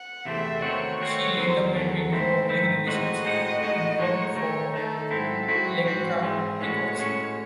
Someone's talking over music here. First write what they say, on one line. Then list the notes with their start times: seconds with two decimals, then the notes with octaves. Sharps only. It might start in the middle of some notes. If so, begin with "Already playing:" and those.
She later went into public relations and worked for Elektra Records.
Already playing: F#5
0.25 E2 C3 E3 A3 C4 E5
0.62 D#3 A3 C4 F#4 C#5
1.00 D#3 A3 C4 F#4 C#5
1.37 E2 D#3 F#3 C5
1.75 E2 D#3 F#3 A4
2.12 G#2 D#3 A3 C4 E4 C5
2.49 G#2 D#3 A3 C4 E4
2.86 A2 G#3 C4 D#4 F#4 D#5
3.24 A2 G#3 C4 D#4 F#4
3.62 A2 G#3 D#4 F#4
3.99 A2 G#3 D#4 F#4 C#5
4.36 D#3 A3 D#4 C#5
4.74 D#3 A3 D#4 A4
5.11 G#2 F#3 C4 E4 A4
5.48 G#2 F#3 C4 E4 F#4
5.85 G#2 E3 C4 F#4
6.23 G#2 E3 C4 G#4
6.60 A2 G#3 C#4 F#4 C#5
6.98 A2 G#3 C#4 F#4